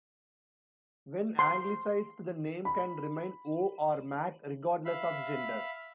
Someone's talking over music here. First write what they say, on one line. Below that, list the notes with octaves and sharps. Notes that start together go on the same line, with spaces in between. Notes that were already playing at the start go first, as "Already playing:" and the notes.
When anglicised, the name can remain O' or Mac, regardless of gender.
C6
B5
E5 F5 B5